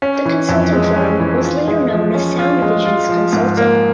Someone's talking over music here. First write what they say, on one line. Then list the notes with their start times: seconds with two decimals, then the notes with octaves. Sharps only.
The consulting firm was later known as Sound Visions Consulting.
0.02 C#4
0.25 E3
0.49 F2
0.73 G#3
0.96 C#4
1.20 E3
1.44 F4
1.68 G#3
1.91 F3
2.14 C#4
2.39 F4
2.62 G#3
2.85 F4
3.09 F3
3.33 G#2
3.57 A#3